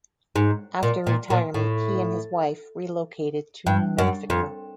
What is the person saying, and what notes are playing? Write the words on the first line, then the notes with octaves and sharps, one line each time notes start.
After retirement he and his wife relocated to New Mexico.
G#2
A#2
A#2
A#2
A2
G2
F#2
F2